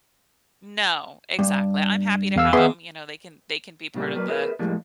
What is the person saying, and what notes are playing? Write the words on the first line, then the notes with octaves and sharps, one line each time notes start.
No. Exactly, I'm happy to have 'em, you know, they can they can be part of the
G2
E2 F5 E6
D#2 B3 G#4 E5 C6
A#2 C#3 F3 G3 A#3
F#3 A#3 B4 D5
G#4 A#4 B4 E5
A2 F3 G3 G#3 A#3